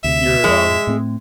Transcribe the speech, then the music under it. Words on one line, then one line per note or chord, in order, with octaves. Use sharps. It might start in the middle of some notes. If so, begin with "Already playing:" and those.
you're, um,
D2 C3 E5
F2 F3 G#3
A2 A3 C4